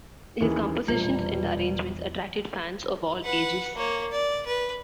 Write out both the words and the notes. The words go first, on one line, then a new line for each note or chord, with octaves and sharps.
His compositions and arrangements attracted fans of all ages.
D#2 E3 C#4 G#4
A#1 E2 G2 B2 G3 F4
B4 F#5
A#3 C#5
D5
B4